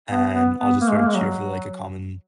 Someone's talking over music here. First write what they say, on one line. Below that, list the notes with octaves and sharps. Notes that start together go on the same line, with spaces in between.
and I'll just sort of cheer for like a common
B3
B3
B3
A#3
G#3
A#3
G#3
F#3